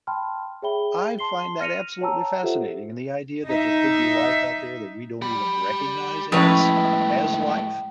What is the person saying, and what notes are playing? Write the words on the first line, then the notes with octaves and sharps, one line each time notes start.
I find that absolutely fascinating, and the idea that there could be life out there that we don't even recognize as as life.
G5 A5 B5 C6 F6
G#4 C#5 E5 G5 B5 G7
A5 C6 C7 G7
F6 A#6 C#7 D#7 F7
C#5 G5 A5 A#5 E6
F4 G4 A4 C5 E5 F#5
D#4 E5
G4 B5
A2 F3 G#3 A3 C#4 B4